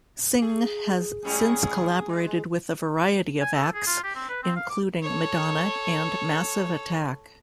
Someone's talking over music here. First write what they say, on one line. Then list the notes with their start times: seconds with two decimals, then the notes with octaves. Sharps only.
Singh has since collaborated with a variety of acts including Madonna and Massive Attack.
0.42 G#4
1.25 G#2 G3 C#4 G#4
2.09 G#3
3.41 G#5
3.55 A4
3.74 G#4
3.87 F4
4.04 G4
4.15 C4
4.29 B4
4.43 C4
4.56 F5
4.69 D6
5.03 A4 C#5